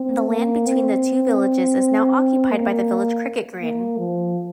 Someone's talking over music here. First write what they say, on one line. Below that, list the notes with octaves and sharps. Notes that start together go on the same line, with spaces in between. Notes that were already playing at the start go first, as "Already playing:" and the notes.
The land between the two villages is now occupied by the village cricket green.
Already playing: C4
A#3
C4
A#3
A#3
F3